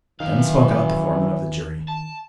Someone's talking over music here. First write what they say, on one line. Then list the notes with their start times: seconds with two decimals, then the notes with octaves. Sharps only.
Then spoke out the foreman of the jury.
0.20 F#2 D#3 E3 F5
1.88 A5